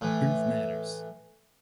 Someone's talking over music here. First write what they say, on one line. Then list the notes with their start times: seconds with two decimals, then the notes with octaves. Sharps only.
Truth matters.
0.01 A2 E3